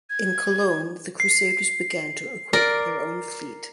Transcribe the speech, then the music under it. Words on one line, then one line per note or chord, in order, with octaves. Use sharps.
In Cologne the crusaders began to equip their own fleet.
G#6
C7
A#4 D5